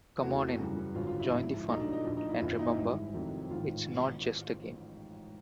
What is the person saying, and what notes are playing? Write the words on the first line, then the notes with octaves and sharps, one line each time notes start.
Come on in, join the fun, and remember: It's not just a game...
E2 C3 E3 A3 F#4
F#2 C#3 E3 G3
G#1 F#2 D3 F#3 F4
F4
E4
A#1 G#2 F3
B1 A#2 F#3 A3 D#4
D4
D#4
A#1 A2 F3 A3 D4
D#4
E4
F#1 F#2 D#3 F4
E4
D#4
E4
G#1 G#2 E3 G3
F2 C3 D#3 F#3 A3
A1 G#2 D#3 F4